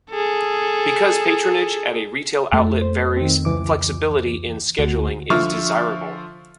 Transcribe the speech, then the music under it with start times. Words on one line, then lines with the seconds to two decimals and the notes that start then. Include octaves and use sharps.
Because patronage at a retail outlet varies, flexibility in scheduling is desirable.
0.10 G#4 A4
2.52 F2 A3
2.82 C5
3.17 D#3 C4
3.45 C#2 E3 D6
4.79 D2 F#4
5.30 D3 F3 F4 E5 C#6 F6